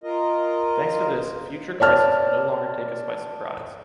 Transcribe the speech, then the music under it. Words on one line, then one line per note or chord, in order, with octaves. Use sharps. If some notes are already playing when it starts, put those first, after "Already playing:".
Thanks to this, future crises will no longer take us by surprise.
F4 A#4 D#5
C#5 D5 A5 F6